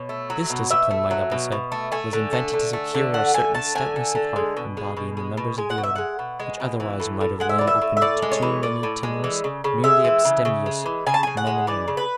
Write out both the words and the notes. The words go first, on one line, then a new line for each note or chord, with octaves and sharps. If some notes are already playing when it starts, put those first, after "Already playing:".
This discipline, my double said, was invented to secure a certain stoutness of heart and body in the members of the order, which otherwise might have lain open to too many timorous, merely abstemious, men and women.
Already playing: B2 C#5
A3
F#3
B2
B2 E5
A3
F#3
B2
B2
A3
A3 G#5
D3
A3
D3
A3
D3
A3 F#5
D3 G#5
A3 A5
D3 G#5
A3
D3
G#3
B2
G#3
B2
G#3
B2
G#3 G#5
F#5
B2
E5
G#3 F#5
B2
G#3
B2
E3
A2
A2
G#3 F#5
E5
E3 D5
E5
A2
E5
A2 D5
G#3
C#5
E3
A2 D5
A2
G#3
E3
C#3
C#3
G#3 E5
E3
C#3
C#3
G#3
E3
C#3 G#5
A5
C#3 G#5
F#5
G#3
E3 D5
C#3
B4